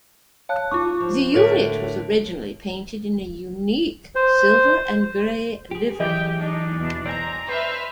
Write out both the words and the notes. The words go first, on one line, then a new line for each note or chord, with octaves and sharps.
The unit was originally painted in a unique silver and grey livery.
C#5 F5 A5 F#6
D#4 F4 C#6 D6
F3
A2 D3 F#4 A4 A#4 C#5 E5
C5
G4 G#4
E3 F#3 G4 G#4 D#5 G5
D4 D#4
E2 B2
C4 D5 G#5 A#5
B4 C5 E5 F6